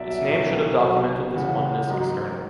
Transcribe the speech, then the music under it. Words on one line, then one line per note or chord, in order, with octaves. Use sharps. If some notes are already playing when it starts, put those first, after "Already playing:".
Its name should have documented this oneness externally.
Already playing: B1 B2 F#3 D5 E5
E5
B1 B2 F#3
B1 B2 F#3
C#2 C#3 E3 F#5
F#5
A1 G#2 F#3